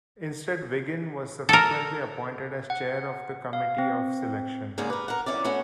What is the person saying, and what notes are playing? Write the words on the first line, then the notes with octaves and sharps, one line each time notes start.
Instead Wiggin was subsequently appointed as Chair of the Committee of Selection.
A4 A#4
F#5
F5
C4
G#2 C#3 A#3 G#4 D5
A#4 B4
A#4 F#5
F2 C#4 E4 D5
A3 B3 C#4 F#4